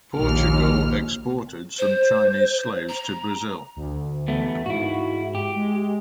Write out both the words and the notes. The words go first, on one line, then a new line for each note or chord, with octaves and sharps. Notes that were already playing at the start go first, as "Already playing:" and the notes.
Portugal exported some Chinese slaves to Brazil.
A#1 D#2 F6
C5
A#5
D2
E2 A3 B3
G#2 E4 F#4
G4
G#3